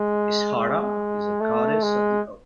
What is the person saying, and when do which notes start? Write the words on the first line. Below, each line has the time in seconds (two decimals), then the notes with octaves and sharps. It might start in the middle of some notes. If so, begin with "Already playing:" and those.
Ishara is a Goddess of the oath.
Already playing: G#3
0.55 G#3
1.40 A3
1.83 G#3